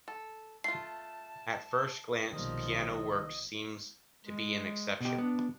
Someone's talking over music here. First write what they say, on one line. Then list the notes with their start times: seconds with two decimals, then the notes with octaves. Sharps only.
At first glance, "Piano Works" seems to be an exception.
0.08 A4
0.64 A3 F4 A5 C7
2.33 B1 C3 D#3 F3 G3 A#3 D#5
4.25 G#3
5.01 B2 G4
5.18 B3 D4